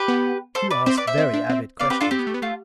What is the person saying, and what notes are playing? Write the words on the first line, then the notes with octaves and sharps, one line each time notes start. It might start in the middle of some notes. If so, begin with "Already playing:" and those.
"You ask very avid questions, Gregg!"
Already playing: G4 B4
B3
A4 C5
B4 D5
C4 C5 E5
B4 D5
C5 E5
C4
D4
C4
B3 D5 F5
C4 G4 B4
D4 F4 A4
C4 G4
B3
A3
B3
A3 F4